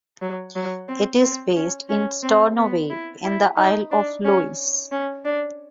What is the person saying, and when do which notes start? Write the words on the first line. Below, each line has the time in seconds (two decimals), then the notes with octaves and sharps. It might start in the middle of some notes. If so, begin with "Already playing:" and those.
It is based in Stornoway in the Isle of Lewis.
0.22 F#3
0.56 F#3
0.89 C4
1.22 C4
1.56 C#4
1.89 C#4
2.23 C4
2.57 B3
2.90 E4
3.24 E4
3.57 D#4
3.91 D4
4.25 C#4
4.92 C#4
5.25 D4